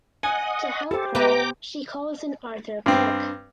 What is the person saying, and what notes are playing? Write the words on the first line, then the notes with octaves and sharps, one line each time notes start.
To help her she calls in Arthur Crook.
D#5 F#5 G#5
G4 A4 C5
B3 B4 E5 G5 A#5 D6
G2 C4